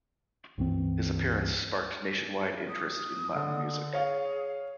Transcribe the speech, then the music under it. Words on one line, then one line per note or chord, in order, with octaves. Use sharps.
His appearance sparked nationwide interest in Latin music.
C#2 G2 E3 C4
D#6
D3
G#4 C#5 F5